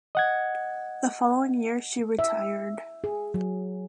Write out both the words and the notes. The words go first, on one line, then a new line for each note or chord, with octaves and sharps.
The following year she retired.
D#5 F#5 G#6
E5
G#4
F#3